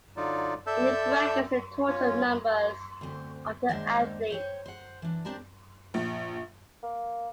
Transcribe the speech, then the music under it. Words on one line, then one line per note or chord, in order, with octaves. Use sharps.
In the brackets are the total numbers of the athletes.
D3 F#3 D#4 F4 D5
A4 D5 E5 A5 E6 G6
C#4 F4 C#5
D2 C4
D#2 G#3 A#3 D4 C5 G5
C5 C#5 G5
C5 F#5
E3 D4
C4 D4 G4 A#4 A5
A#1
A#3